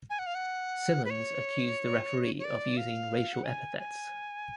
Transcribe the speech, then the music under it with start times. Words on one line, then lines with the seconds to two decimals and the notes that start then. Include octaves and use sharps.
Simmons accused the referee of using racial epithets.
0.10 G#5
0.19 F#5
0.26 F5
0.35 F#5
1.05 B4
1.10 C#5
2.39 C#5
2.44 D5
2.77 F5
3.33 F#5
3.44 G#5
3.79 G#5